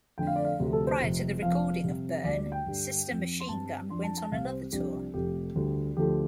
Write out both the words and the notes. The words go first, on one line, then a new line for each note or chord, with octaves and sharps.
Prior to the recording of "Burn", Sister Machine Gun went on another tour.
F2 D3 A3 D4 G5
F5
D5
F5
D2 C3 F3 A3
A4
C5
F1 F2 C3
F1 F2 F3 F5
F2 C3 G3 C4
D2 D3 G3 D5
D5
G5
G2 D3 G3 D4
F2 F3 C4
C6
G2 G3 C4 A5
F2 F3 D4 C6
A5
A5
C2 C3 G3 C4 F5
C5
C2 C3 F3 D4 G4
F1 F2 C3 A3 G4
D2 D3 G3
D2 D3 F3 A3 G4